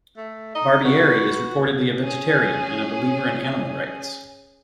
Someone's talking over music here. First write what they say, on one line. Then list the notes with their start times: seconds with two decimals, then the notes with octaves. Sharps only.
Barbieri is reportedly a vegetarian and a believer in animal rights.
0.17 A3
0.55 D#4 D#5
0.84 F#4 B4
2.02 C#4 G#4